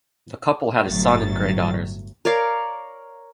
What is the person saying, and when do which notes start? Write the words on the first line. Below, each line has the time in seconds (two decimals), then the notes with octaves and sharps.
The couple had a son and granddaughters.
0.86 G1 A2 F#3 A6
2.25 A#4 C#5 D5 F5